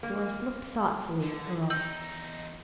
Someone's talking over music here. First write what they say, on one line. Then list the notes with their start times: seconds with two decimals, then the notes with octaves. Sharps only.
Doris looked thoughtfully at Earle.
0.03 A#3
1.22 D3
1.70 E2 D#4 E6 G6 F#7